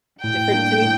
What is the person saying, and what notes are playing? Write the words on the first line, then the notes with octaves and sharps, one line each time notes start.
different to me.
A2 G5
G3 A#3 D4
A2